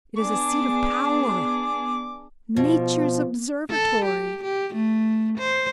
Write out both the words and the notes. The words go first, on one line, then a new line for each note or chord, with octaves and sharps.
It is a seat of power--Nature's observatory.
B3 D4 G#4 D6
B2 F3
A4
G4
G4
A3
C5